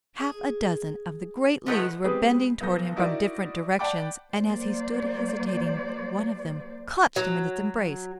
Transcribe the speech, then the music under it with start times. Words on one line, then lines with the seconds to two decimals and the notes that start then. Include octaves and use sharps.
Half a dozen of the great leaves were bending toward him from different directions and as he stood hesitating one of them clutched him in its embrace.
0.20 G#4
1.66 E2 F3 F#3 G#3 A3 B3
2.04 G#3 B3 C4 G4 G#4 B4
2.61 B1 B3 A4 G6 A#6
2.96 D#4 E4 F#4 A#4 D5 E5
3.79 D5 F#5 G5 A5 B5 D6
4.33 F#3 G3 A#3 C5 D5
7.16 F#3